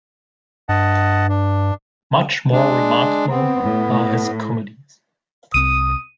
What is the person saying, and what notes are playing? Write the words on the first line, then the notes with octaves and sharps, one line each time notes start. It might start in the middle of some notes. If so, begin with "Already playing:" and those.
Much more remarkable are his comedies.
G2 D#5 F#5 A5
D4
G#3 D4
B3 C4
A2
C2 C4 D#6 D#7